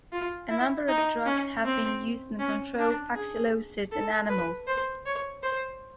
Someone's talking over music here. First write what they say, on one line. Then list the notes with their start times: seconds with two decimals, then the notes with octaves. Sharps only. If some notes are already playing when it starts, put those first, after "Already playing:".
A number of drugs have been used in control fasciolosis in animals.
0.12 F4
0.50 E4
0.88 D#4
1.26 C#4
1.65 C4
2.39 C#4
2.78 D4
3.15 G#4
3.92 A4
4.30 B4
4.67 C5
5.06 C#5
5.43 C5